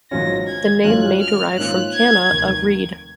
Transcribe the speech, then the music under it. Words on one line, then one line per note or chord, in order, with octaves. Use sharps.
The name may derive from "canna," a reed.
G#1 G#2 F#3 C#4 F4 A#6
G#6
G#1 G#2 F#3 C#4 F4 F#6
F6
G#2 D#3 A#3 C#4 F4 F#6
G#6
F1 D#2 D#3